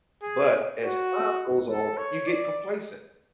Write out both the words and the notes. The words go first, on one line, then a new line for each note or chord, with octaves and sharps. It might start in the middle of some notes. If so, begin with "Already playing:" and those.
But as time goes off, you get complacent.
G#4
F#4
A4
C#5
D5